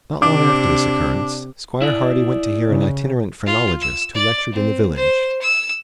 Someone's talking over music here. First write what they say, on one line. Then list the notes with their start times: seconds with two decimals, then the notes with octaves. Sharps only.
Not long after this occurrence, Squire Hardy went to hear an itinerant phrenologist who lectured in the village.
0.22 C3 D4 D6
1.82 E4 D5
2.68 C#3
3.46 F4
3.81 E6
4.14 D5
4.52 C4
4.95 C5
5.41 E6